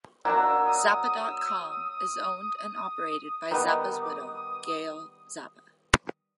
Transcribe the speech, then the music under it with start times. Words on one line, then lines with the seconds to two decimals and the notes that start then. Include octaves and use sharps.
Zappa dot com is owned and operated by Zappa's widow, Gail Zappa.
0.25 F#3 A#3 D4 F#4 E6
0.66 D#6
1.06 D#6
1.27 E6
1.47 D#6
1.68 D#6
1.88 D#6
3.51 D#3 G3 B3 D#6
3.92 D#6
4.01 D6
4.11 D#6
4.33 D#6